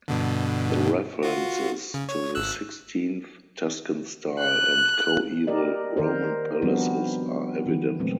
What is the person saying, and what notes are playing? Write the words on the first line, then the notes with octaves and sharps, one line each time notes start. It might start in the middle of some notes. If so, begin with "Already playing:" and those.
The references to sixteenth Tuscan style and coeval roman palaces are evident.
G2 B2 D3
F4 F#4
C#3
C#5
G#1 E6 F#6
F#6
A#3 G4 A#4 D5 D#5
D#3 A#4 C5
F3 G3 B3 C4 D4 F#4
D3 E3
A#2 F#3 G#3 A3 C4